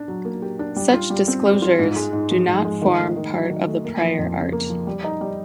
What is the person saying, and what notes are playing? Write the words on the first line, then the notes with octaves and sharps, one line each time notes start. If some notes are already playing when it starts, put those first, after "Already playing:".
Such disclosures do not form part of the prior art.
Already playing: D4
F#3
A#3
G4
D4
G3
F4
G3
C4
G3
F4
G#2
G#3
G#2
F3
G#2
G#3
D#3
A3
D#3
F#3
D#3
A3
A#3
F3
F2
C#3
A#3
F3
G3
D#4
G3